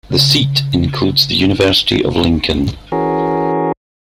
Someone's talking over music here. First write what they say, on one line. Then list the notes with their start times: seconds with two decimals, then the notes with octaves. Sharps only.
The seat includes the University of Lincoln.
0.10 C#3
2.92 E3 C#4 F#4 G#4 A#4